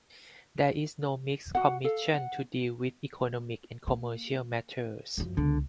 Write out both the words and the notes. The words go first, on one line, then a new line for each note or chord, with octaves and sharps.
There is no Mixed Commission to deal with economic and commercial matters.
F#4 F#5
A4 F5
F#5
A#3
F#2 F3
C#2 D3 B3